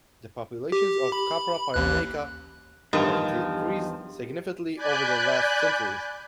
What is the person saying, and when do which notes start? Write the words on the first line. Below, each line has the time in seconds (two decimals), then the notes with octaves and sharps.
The populations of "Capra pyrenaica" have decreased significantly over the last centuries.
0.72 G4
1.12 B5
1.74 A1 D#2 F#6
2.93 E2 G2 D#3 F3 D#4 G4
4.75 D5 G#5 B5 F#6 G6